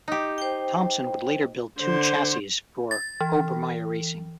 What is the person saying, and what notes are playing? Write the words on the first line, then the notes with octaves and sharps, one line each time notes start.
Thompson would later build two chassis for Obermaier Racing.
D#4 G4
C5 G5
D3 C5
A6
E3